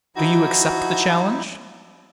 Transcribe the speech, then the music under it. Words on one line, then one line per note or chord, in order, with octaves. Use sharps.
Do you accept the challenge?
F3 D#4 E4 F#4